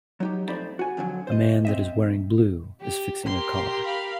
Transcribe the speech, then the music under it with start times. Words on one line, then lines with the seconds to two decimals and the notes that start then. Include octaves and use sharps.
A man that is wearing blue is fixing a car.
0.20 F#3 D#4 G4
0.48 F2 A3 D#4 C5 D5 B5
0.79 F#4 G#5
0.97 F2 D3 F3 F#3
1.27 C5 D#5
1.65 C4 D#5 E5
2.81 G4
3.26 G4 A#4 C6
3.85 F5 B5